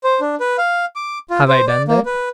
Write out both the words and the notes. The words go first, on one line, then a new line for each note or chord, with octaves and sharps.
Have I done that?
C5
D4
B4
F5
D6
F4
C5
D5
A#3
B4